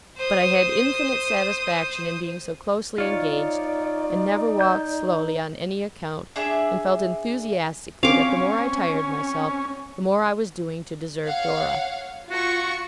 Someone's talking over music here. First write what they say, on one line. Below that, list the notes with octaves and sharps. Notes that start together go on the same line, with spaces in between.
But I had infinite satisfaction in being so closely engaged, and never walked slowly on any account, and felt enthusiastically that the more I tired myself, the more I was doing to deserve Dora.
C5 D#6
D#4 F4 C#5 D5
G6
D4 G#4 E5
C4 C#4 F5 D6
C#5 F5 F#5
F4 F#4 C#6